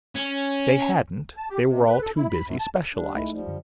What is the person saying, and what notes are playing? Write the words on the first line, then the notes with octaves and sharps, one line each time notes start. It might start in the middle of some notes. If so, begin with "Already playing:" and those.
They hadn't; they were all too busy specializing.
C#4
A5
G4
C3
B4
A4
E4
B5
F#2
A5
G3 D4
G#3 A3 D#4 E4
F3 G3
F#2 D3